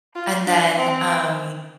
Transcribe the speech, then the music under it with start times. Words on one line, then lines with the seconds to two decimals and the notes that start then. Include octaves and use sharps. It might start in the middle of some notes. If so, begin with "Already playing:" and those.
And then, um,
0.15 F4
0.46 D4
0.76 C4